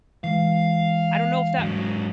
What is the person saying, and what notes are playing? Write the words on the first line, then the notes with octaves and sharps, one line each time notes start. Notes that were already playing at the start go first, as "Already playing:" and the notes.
I don't know if that
E3 G#3 F5
G#2 F#3